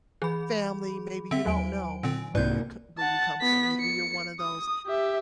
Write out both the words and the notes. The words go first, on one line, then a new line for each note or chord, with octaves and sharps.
family, maybe you don't know where you c where you come from, maybe you're one of those
E3 G#4 B5
D3 C4 E5
D#2 F#3 G#5 D7
A#2 D3 C4
C2 G#2 C3 A#3 B4 D5 G6
F#5 A5
B3 B6
C#7
D#6
G4 E5